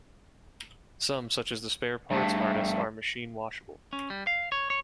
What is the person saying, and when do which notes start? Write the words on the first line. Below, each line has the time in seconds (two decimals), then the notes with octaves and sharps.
Some, such as the "Spare Parts" harness, are machine-washable.
2.11 G2 A3
3.93 C#4
4.10 G3
4.27 F5
4.52 C#5
4.70 C#5